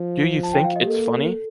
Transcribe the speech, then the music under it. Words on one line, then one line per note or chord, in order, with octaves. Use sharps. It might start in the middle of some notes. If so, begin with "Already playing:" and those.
Do you think it's funny?
Already playing: F3
A5
G5
F5
D#5
G4
A#3 A4